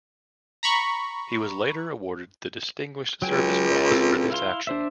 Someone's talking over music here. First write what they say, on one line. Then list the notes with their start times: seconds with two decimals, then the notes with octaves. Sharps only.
He was later awarded the Distinguished Service Cross for this action.
0.63 A#5 B5 C#6
3.22 C#2 F#3 G5 G#5
3.91 C4 F4 A4
4.30 E4 F5 C6
4.67 D4 C5 E5